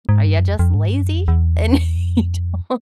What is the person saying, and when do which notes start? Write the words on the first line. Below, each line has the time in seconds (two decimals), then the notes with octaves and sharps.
are ya just lazy? And you don't"
0.09 G#2
0.26 G2
0.37 F#2
0.49 F2
0.59 F2
0.75 G#2
0.88 G2
1.01 F#2
1.15 F2
1.28 E2
1.97 F2